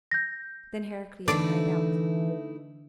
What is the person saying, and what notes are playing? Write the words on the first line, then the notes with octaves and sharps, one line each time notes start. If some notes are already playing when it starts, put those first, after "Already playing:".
Then Heracles cried out.
G6 A#6
D3 E3 A3 D#4 E4 D5